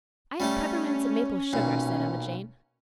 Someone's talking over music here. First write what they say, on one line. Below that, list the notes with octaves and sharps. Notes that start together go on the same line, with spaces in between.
"I have peppermints and maple sugar," said Emma Jane.
G3 A3 C#4 G4
B1 A#2